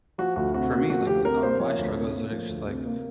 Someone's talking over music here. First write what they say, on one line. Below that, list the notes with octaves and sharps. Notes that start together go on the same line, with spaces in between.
for me, like, the th are my struggles are just like
F3 F#4
D2 F#4
C3 F#4
A#3 F#4
F3 F#4
D2 G4
C3 A#4
A#3 C5
F3 C#5
D2
C3
A#3
F3
D2
C3
A#3